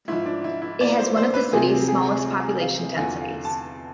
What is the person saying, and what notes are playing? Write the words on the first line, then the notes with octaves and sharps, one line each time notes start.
It has one of the city's smallest population densities.
G#2 F3 E4
D4
E4
E4
D5
C5
C5
B4
D2 C3 F3 G#4
G#4
F5
E2 D3 F3 G#5
F5
A5